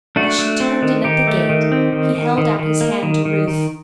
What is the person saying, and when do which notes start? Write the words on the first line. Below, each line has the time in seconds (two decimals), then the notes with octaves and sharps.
As she turned in at the gate, he held out his hand to Ruth.
0.16 A3 D4 F#4
0.39 A3
0.60 C4
0.82 D#3
1.04 D#3 D#4 G4
1.27 A3
1.49 D#3
1.72 C4
1.92 D#3
2.15 D#3
2.38 D#3
2.59 D#3
2.81 A#3
3.03 D#3
3.25 D#3
3.48 D#3